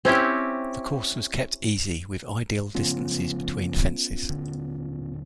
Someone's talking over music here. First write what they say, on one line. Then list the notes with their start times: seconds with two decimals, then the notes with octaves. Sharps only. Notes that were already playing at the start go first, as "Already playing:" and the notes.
The course was kept easy, with ideal distances between fences.
0.05 C4 C#4 E4 G4
2.75 C#3 F3 A3 B3 C#4 F4
4.29 D#1 D3